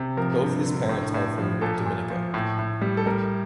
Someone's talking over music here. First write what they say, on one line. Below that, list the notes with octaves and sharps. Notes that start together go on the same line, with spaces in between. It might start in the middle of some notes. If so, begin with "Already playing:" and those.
Both his parents are from Dominica.
Already playing: C3
F3 A#4
G2
D3
A2
A2
F3
A#2 A4
A#2
F3
A2
A2
G3
A4
G3 A#4